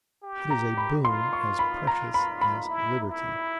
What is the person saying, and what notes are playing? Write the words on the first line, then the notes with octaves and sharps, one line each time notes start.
"It is a boon as precious as liberty."
G4
A#5
B5
F4 C6
C#6
B5
A#5
B5
B5
E4
E4